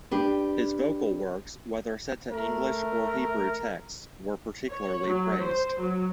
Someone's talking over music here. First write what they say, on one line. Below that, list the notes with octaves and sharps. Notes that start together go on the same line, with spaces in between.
His vocal works, whether set to English or Hebrew texts, were particularly praised.
D4 G4 B4
A3 A#4
C#5
F#3
C5
F#3